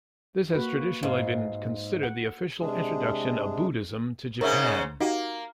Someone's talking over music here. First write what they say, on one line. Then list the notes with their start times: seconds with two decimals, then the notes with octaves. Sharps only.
This has traditionally been considered the official introduction of Buddhism to Japan.
0.54 A#3 F#4 B4
1.03 G#2 F5
2.03 F#5
2.59 C3 G#3 D4 G#4
4.41 G#2 C#3 C#4 A#4 C#5 E5
5.00 A#3 D#4 F#4 G4